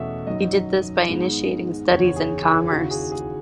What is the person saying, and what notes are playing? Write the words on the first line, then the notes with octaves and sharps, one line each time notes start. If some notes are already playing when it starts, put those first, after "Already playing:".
He did this by initiating studies in commerce.
Already playing: E2 B2 A3 C#4 E5 F#5
F#2 D#3 F#3 D#5
G#2 D#3 G#3 B3
F#1 E2 D#3 C#5
G#4
G#4
D#2 C#3 E3 F#4
G#4
G#4